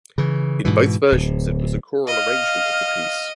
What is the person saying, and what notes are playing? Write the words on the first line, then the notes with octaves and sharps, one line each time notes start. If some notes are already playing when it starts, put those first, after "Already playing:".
In both versions it was a choral arrangement of the piece.
C#3 E3
G#2 B2 E3
D1
D#5 F5 F6